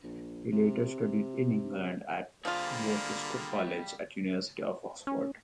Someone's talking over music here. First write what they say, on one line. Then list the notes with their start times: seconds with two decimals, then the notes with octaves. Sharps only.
He later studied in England at Worcester College at the University of Oxford.
0.03 A#1
0.52 C3
2.45 D3 F3 G3 A#3 F4 G#4
5.07 C#4